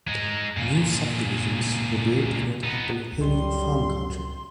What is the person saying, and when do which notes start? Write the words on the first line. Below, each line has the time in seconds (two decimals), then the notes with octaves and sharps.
New subdivisions were built in what had been hilly farm country.
0.07 G#3 D#4
0.57 A#2 C#3
2.64 B3 D#4
3.21 C#2 F#2 G3 C6